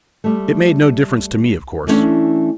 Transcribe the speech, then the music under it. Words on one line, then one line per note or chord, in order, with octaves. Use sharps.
It made no difference to me, of course.
G3 A3
E3 A3 A#3 C#4 D4